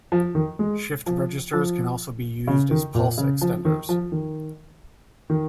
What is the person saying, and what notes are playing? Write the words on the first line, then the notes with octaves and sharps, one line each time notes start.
Shift registers can also be used as pulse extenders.
F3
D#3
G#3
F3
F3
C#3
D#3
A#2
C#3
F3
D#3
F3
D#3
D#3